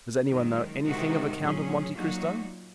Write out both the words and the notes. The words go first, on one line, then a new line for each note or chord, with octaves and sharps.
"Does any one know anything of a Count of Monte Cristo?"
F#2 D#3 G#3 D#4
C3 D#3 G#3 D#4 F#4
A#2 F#3 C#4 G#4
A#2 F#3 A#3 D#4 F#4